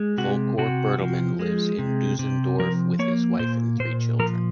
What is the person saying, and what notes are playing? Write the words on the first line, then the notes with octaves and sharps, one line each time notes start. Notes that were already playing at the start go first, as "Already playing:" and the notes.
Volker Bertelmann lives in Düsseldorf with his wife and three children.
Already playing: G#3
C3 F#4
C3 F#4
F3
G#3
C3
C3
F3 A#4
A#3 C#5
A#2 C5
A#2 C5
F3 A#4